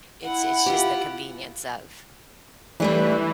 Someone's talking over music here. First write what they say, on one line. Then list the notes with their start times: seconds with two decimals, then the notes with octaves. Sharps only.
It's it's just the convenience of
0.25 E4 F#5
0.66 F4 G4
2.80 E3 G3 A3 D4